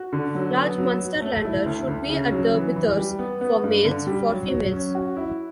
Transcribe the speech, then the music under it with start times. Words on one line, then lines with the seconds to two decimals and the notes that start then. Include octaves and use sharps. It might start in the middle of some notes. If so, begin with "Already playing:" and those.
Large Munsterlander should be at the withers for males, for females.
Already playing: F#4
0.13 D3
0.35 F#3
0.57 B3
0.78 F#3
1.00 F#3
1.22 A3
1.45 E4
1.66 D2
1.88 D2
2.09 C#3
2.32 F#3
2.54 E3
2.76 E3
2.97 G3
3.19 B3
3.41 B3
3.64 G2
3.85 D3
4.07 G3
4.29 F#3
4.50 F#3
4.73 C#4
4.95 F#4
5.16 E4